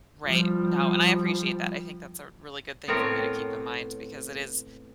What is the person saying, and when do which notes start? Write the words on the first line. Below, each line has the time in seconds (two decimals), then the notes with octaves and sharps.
Right, no, and I appreciate that, I think that's a really good thing for me to keep in mind because it is
0.25 F3 G3
2.88 A2 B3 C4 A#4 C#5